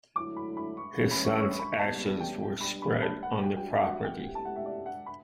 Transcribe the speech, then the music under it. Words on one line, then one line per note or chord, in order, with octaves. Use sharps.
His son's ashes were spread on the property.
D3 F#3 A3 E4 D6
B5
B5
C#6
E3 G3 C#4
B5
C#6
C#6
B5
C#3 G3 B3 A5
G5
B2 G3 D4 B5
B5
A5
F#5
A2 G3 D4 F#4 G5
G5
E5
F#5
G5
B2 A3 C#4 E4 G4
A5
F#5
E5
D5
F#5
B5